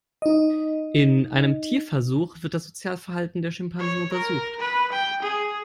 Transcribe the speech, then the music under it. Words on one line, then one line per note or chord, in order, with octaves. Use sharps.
In einem Tierversuch wird das Sozialverhalten der Schimpansen untersucht.
D#4 D#5
C#5
A#4
B4
G5
G#4